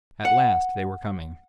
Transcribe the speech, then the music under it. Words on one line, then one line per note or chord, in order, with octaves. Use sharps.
At last, they were coming.
F#5